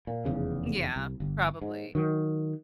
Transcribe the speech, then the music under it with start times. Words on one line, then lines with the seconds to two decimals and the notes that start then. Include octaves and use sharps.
Yeah. Probably.
0.07 A#2
0.25 F1 E2 C#3
0.96 C2
1.20 G1
1.61 G#2
1.95 D#3 F#3